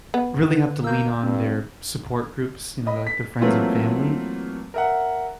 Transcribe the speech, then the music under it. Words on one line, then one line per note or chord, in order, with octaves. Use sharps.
really have to lean on their support groups, you know, their, like, their friends and family.
B3
D3 B4
A#3 E6 G6
G2 C4
D#5 B5
B6
E3 F#3 A3 A#3 C4 F4
A#4 E5 F#5